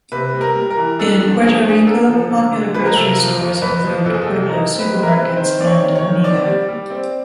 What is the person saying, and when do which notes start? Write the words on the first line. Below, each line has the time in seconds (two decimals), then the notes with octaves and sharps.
In Puerto Rico, popular grocery stores include Pueblo Supermarkets and Amigo.
0.12 C3 B4
0.33 G3
0.41 A#4
0.56 G3
0.70 A#4
0.77 E3
0.99 D4 A4
1.21 D4
1.43 F3 G#4
1.65 D4 G#4
1.87 A#3 A4
2.09 F3
2.31 D3
2.52 D3
2.74 F3 B4
2.86 A#4
2.96 C3 A4
3.07 A#4
3.18 F3
3.40 F2
3.62 F2 B4
3.84 F3
4.06 F2 A4
4.14 G#4
4.22 A4
4.28 C3
4.49 D#4 A#4
4.71 C4
4.79 B4
4.93 G#3
5.03 A#4
5.08 B4
5.15 C4
5.37 D#3 C5
5.59 C4 D5
5.66 C#5
5.81 D#3
5.95 C#5
6.03 D#3
6.24 C4 D5
6.46 G3
6.69 G3
6.90 C4